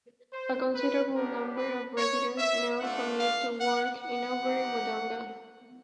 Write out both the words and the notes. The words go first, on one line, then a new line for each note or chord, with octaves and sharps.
A considerable number of residents now commute to work in Albury-Wodonga.
C5
B4
B3 D4 G4 A#4
B4
C#5
E5
A3 D4 F4 F#5
F5
F#5
F#5
C4 D#4 G4